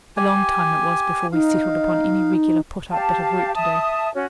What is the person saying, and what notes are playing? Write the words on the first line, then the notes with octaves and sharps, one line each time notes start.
A long time it was before we settled upon any regular put-up bit of work to do.
G4 G#5
D#4 F5
G4 F5 A5
E5 A5 D#6
C#4 F#4